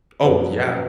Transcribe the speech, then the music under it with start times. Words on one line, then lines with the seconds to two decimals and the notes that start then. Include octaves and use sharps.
Oh, yeah.
0.25 F#2 F3 A#3 B4